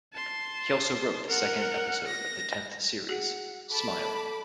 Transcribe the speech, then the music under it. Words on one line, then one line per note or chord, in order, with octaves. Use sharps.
He also wrote the second episode of the tenth series, "Smile".
A5 C6
A#4 F#5
A#6
F#4 G#4 F#5
A4 A5 B5 D6